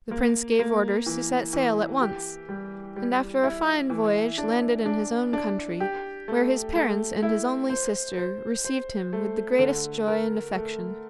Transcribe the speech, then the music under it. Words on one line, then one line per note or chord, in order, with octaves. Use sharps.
The prince gave orders to set sail at once, and after a fine voyage landed in his own country, where his parents and his only sister received him with the greatest joy and affection.
A#3
A#3
E3
E3
G4
G3
G3
E4
E3
D4
D4
D4
G4
A3
A3
E4
C5
C5
C5
A3
D3
A#4
A3